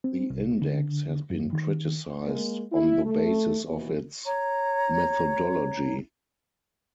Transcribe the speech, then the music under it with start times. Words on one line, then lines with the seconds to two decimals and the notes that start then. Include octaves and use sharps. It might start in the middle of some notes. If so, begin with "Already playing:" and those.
The Index has been criticized on the basis of its methodology.
0.04 C4
0.30 C2
0.62 D3
1.30 F#2
1.53 D#3
2.25 G#3 A#3
2.72 E4
3.05 A3
3.64 D#2 B2 E3
4.25 C#5 A#5